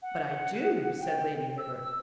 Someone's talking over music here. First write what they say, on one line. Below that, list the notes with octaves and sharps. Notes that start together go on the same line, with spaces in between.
"But I do," said Lady Hibbert.
F#5
G5
E6